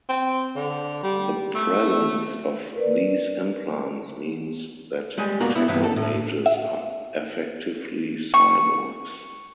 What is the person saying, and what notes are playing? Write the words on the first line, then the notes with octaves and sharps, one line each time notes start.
The presence of these implants means that technomages are effectively cyborgs.
C4
D3
G3
A3
A#4 B4 D5
G3 G#3 G#5
A#3 B3 F#4 A#4
B3 E4
G2 C3 E3 B3
A4
A2
E5
C#6